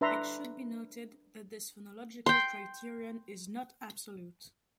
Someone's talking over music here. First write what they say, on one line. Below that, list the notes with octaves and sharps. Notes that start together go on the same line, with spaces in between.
It should be noted that this phonological criterion is not absolute.
D4 B4 E5 A#5 C6
G5 C6